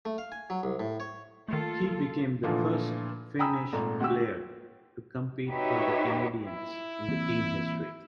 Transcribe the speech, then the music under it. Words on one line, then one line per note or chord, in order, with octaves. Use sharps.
He became the first Finnish player to compete for the Canadiens in team history.
A3
F5
G#5
F#3
C2
A2
C#5
D#3 A3 A#3 F4 A4
A#2 D3 E3 F3 A3 F4
G5 G#5 A#5 B5 D#6 E6
G#1 A#2 A3 A#5
D2 F#4 G4 E6
D#4 F#4 G4 B4 C#5 E5
E4
E3 A#3 C4